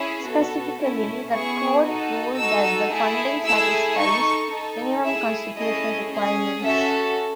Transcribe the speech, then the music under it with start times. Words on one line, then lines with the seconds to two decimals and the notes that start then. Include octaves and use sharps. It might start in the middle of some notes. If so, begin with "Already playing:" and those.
Specifically, the court ruled that the funding satisfies minimum constitutional requirements.
Already playing: C#4 E4 G#4
0.26 B3 F#4 A4
0.79 A3 C#4 E4
1.32 B3 E4 G#4 C#6
1.85 D#4 F#4 A4
2.39 D#4 F#4 A4 E6
2.92 A3 E4 G#4
3.45 A3 E4 G#4 E6
3.98 D#4 A4 C#6
4.52 D#4 A4
5.04 A3 E4 G#4 E5
5.58 A3 C#4 E4 G#4 D#5
6.11 C#4 G#4
6.64 C#4 F#4 A4 E5